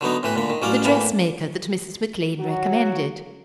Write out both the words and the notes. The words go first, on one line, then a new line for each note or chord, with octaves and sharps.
"The dress-maker that Mrs. McClean recommended?"
D3 F#3 B3 D#4
A2 E3 B4
A#2 D3 B5
D#3
A1 F#3 C#4 D5 F5
A2 E3 A#3
F#3 F#4